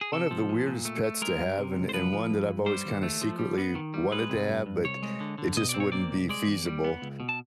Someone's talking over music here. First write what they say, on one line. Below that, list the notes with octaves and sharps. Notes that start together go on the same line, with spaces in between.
One of the weirdest pets to have, and and one that I've always kinda secretly wanted to have, but it just wouldn't be feasible,
G#4
C3 A4
F3
A#2
A#2
A3
A3
G#3 A#4
G2
C3
C#2
C5
F3 B4
F3
G2
G2
G3 C5
D#2
A3
F3
G3
B3
D#3
G3
G#3 B4
C3
G2
G2
C2 C#5
G#3
D3
D3
B2 D#5
D5
C4
C#5
A#3 D5
C2
G#3 D5
E2
G3
B3
C#2
B2
A5